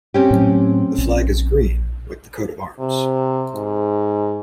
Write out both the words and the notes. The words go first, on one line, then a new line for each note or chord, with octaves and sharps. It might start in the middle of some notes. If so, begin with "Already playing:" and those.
The flag is green like the coat of arms.
C4 C#4 G4
A2 F#3
A#1
C3
G#2